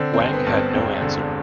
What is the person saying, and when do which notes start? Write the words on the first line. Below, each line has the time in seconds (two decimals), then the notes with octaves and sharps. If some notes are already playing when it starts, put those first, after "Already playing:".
Wang had no answer.
Already playing: D3 C4
0.14 C4
0.19 G1
0.33 B3
0.47 G2
0.54 C4
0.74 E1 C4
1.02 D3